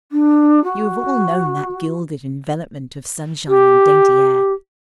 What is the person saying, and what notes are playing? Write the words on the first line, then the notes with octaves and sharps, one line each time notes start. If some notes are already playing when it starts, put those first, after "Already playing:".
You have all known that gilded envelopment of sunshine and dainty air.
D4
F#4
G4